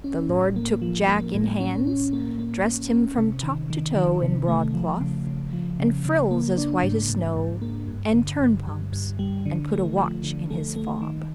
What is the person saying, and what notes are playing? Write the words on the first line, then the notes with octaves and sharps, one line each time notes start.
The lord took Jack in hands, dressed him from top to toe in broadcloth, and frills as white as snow, and turnpumps, and put a watch in his fob.
C#4
A2
A#3
F3
A#3
A2
C#4
C#4
A#3
A#3
C#4
C#4
C3
D#3
D#3
D#3
C3
A3
F3
C#3
C#3
F3
C#3
C#3
A#3
D4
G#2
G#2
G#2
A#3
G2
D3
G2
G2
G2
G3
D3
A3
F3
D3
A3
A3
D#3